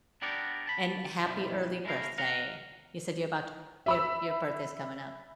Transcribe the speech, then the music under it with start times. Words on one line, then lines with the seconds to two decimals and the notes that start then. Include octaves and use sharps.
And happy early birthday. You said you're about t your your birthday's coming up.
0.22 B3 D4 G4 A#4 D5 F#5
0.67 A5 B5
1.25 B1 F#2 F3 G3 E4
1.85 G#3 A3 E4 A#4 F5
2.18 F5 F#5 A#5
3.86 E5 B5 E6